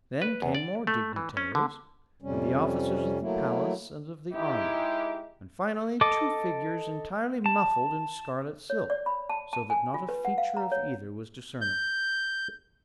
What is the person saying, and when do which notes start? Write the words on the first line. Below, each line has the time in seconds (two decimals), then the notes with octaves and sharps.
Then came more dignitaries, and the officers of the palace and of the army, and finally two figures entirely muffled in scarlet silk, so that not a feature of either was discernible.
0.22 B4
0.42 E2
0.55 D5
0.87 A3
1.16 E3
1.37 C#4
1.55 D3
2.21 F2 C3 G3 C#4
3.21 F#3 A3 A#3 E4
4.33 G#3 D#4 E4 G4
6.01 A4 D#5 D6
7.46 A5
8.70 C#5
8.90 D5
9.06 B5
9.30 A5
9.53 A5
9.70 G#5
9.94 F4
10.09 B4
10.25 F#5
10.38 F5
10.57 A#5
10.72 C#5
11.61 G6